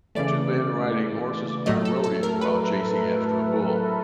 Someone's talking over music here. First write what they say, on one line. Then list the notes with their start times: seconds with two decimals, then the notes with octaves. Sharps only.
Two men riding horses in a rodeo while chasing after a bull.
0.15 C#3 E3 A3 D5
1.66 A2 F#3 A3 D#5
1.85 A4
2.04 A4
2.23 A#4
2.41 B4